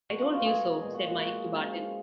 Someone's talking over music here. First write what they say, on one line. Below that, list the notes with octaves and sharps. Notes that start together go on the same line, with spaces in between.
"I told you so," said Mike to Barton.
B2 G#3 F#4
F4
F#4
B2 G#3 G#4
A#2 G#3 G#4
F#4
F#4
A#2 G#3 F#4
F#2 F3 G#3